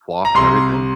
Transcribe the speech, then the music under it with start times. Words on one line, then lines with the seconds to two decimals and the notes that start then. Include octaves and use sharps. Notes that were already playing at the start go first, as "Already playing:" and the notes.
floss and everything?
0.25 A#5
0.34 C2 C6